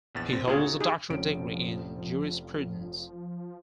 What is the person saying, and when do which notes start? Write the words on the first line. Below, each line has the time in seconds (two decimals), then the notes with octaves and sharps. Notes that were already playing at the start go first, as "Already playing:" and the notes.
He holds a doctorate degree in Jurisprudence.
0.15 A#1 E2 A6
0.33 C4
0.48 D2 A#2 F4 G#4 C#5
0.61 D#4 F#4 A4
0.80 D#4 G4 G#4
1.10 F1 F3 C#4 D7